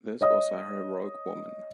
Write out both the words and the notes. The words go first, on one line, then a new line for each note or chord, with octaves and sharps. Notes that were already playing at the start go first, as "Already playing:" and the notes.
This was a heroic woman.
C#5 D#5 D#6